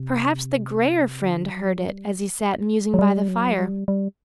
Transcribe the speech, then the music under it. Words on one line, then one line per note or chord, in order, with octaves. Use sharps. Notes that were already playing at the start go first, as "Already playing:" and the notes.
Perhaps the grayer friend heard it, as he sat musing by the fire.
Already playing: C3
D3
F#3
G3
F#3
G3
F#3
G3
G3